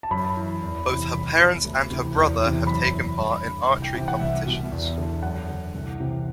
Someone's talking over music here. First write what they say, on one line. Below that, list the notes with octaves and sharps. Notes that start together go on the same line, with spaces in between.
Both her parents and her brother have taken part in archery competitions.
A5
F#2 B5
E3
E2
C3 E3
C2 B5
B2
D2
C3 E3
E2
C3 E3
F#2 B5
E3
G2
D3
C2
G5
C3 E3 G5
F#5
C2 E5
B2
E2
D3
F#2 F#5
D3
C2
C3 E3